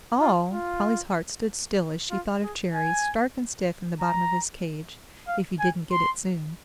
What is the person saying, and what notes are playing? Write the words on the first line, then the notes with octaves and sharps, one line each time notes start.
"All!" Polly's heart stood still as she thought of Cherry, stark and stiff in the bottom of his cage, if he didn't get it soon.
F4
F4
F4
G#4
G#5
A#5
F5
G#5
C6